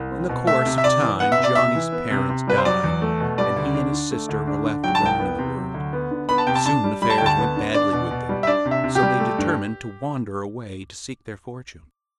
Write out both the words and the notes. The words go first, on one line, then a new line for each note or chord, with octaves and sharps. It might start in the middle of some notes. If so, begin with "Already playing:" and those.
In the course of time Janni's parents died, and he and his sister were left alone in the world; soon affairs went badly with them, so they determined to wander away to seek their fortune.
Already playing: C2
C4
B2
A3 E5
C3
E5
C3 D5
E3
B3 F#5
E5
C3
D5
C3 E5
E3
B3
C3
C3
G3 B4
C5
F#3 D5
E2
A3
B2
G3 D5
D2
D4
D3
A3
D2
D4
D3
F#3 G5
A5
C2 G5
B3
C3
F#3
D2
B3
D3
B3 B5
A5
C3 G5
A5
D4 A5
G3
G3 B5
A5
D2 G5
A5
B3
D3
D4 D5
B2
B2
G3
E5
D4 D5
C3
E5
C3
G4
G3
A3
G2